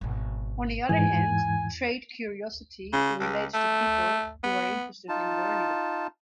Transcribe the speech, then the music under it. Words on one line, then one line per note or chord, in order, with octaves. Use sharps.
On the other hand, trait curiosity relates to people who are interested in learning.
G#1 B2
E2 G#2 E3 G#5
C#3
C#2
A3
B3
D#4 F4 A5